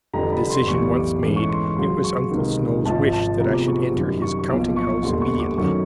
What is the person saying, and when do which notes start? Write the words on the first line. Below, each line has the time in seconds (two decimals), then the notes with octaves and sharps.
The decision once made, it was Uncle Snow's wish that I should enter his counting-house immediately.
0.14 F1 F2 D3 G3 A#5
0.32 B5
0.50 C6
0.68 B1 A2 E3 G3 C#6
0.95 D6
1.22 G#2 E3 A3 C#4 D6
1.36 C#6
1.49 C6
1.63 C#6
1.77 C#2 C#3 F#3 C6
2.04 C#6
2.31 C#2 C3 D#3
2.85 G#1 G#2 F3 A5
3.13 A5
3.40 D2 C3 F3 G#3 B3 A#5
3.53 D6
3.67 C#6
3.81 D6
3.94 F#2 D#3 G3
4.22 C#6
4.39 C#6
4.49 B1 A#2 F3 D6
4.76 C#6
5.03 E1 D#2 D3 G3 B3 C6
5.21 C#6
5.39 D6
5.58 F#2 D#3 F#3 A3 C#4 C#6